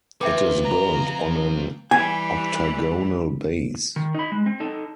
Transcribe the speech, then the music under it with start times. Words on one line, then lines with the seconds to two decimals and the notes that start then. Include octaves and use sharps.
It is built on an octagonal base.
0.21 F2 B4 E5 G5 D6
0.62 A#5
1.91 E3 G3 G#5
3.96 D#3
4.15 D#4 B5
4.32 G#3
4.46 C4
4.60 D#4 A4